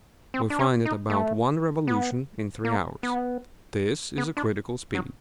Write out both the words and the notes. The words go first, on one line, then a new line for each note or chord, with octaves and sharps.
We find it about one revolution in three hours. This is a critical speed.
C4
D4
C#4
D#4
A3
B3
A#3
B3
B3
D4
F#3